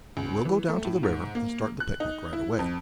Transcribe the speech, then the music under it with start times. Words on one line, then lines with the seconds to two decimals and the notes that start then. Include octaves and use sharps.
But we'll go down to the river and start the picnic right away.
0.17 C#2
0.45 E3
0.68 A3
0.85 A2
1.03 G#2
1.35 A#3
1.80 F#6
2.00 D#4
2.33 E4
2.59 F2